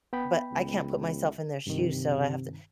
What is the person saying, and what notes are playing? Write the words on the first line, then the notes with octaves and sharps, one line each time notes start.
But I can't put myself in their shoes, so I have to
B3 G5 B5
C#2
G2 C3 D#3